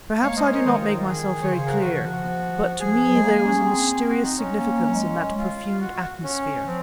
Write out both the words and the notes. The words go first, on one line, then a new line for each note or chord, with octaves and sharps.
Perhaps I do not make myself very clear, but to me there was a mysterious significance in that perfumed atmosphere.
G#3 C#5 F5
A#3
G#3 C5 D#5
A#4 C#5
D#3 C5 D#5
F4
D#4
F4
G#4
D#3 C#5
C#3 G#4 C5
F#4 A#4
D#3 F#4
F3 F#4
F3 G#4
F#3
G#3
A#3
C#4
A#3
C4
F#4
D#4
C#4
A#3
F#3
G#3
F4
F#4
F#4
C#4
F3 C4